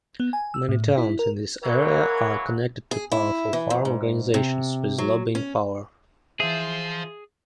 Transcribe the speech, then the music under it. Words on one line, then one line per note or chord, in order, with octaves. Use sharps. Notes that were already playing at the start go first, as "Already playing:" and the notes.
Many towns in this area are connected to powerful farm organizations with lobbying power.
B3
G#5
E6
A2
E4
A#4
C#3 E3 F#3 A#4
G#4
E4
E3
F2
G#2
C3
F#3
C#4
E3 F4 G#4 C5 E5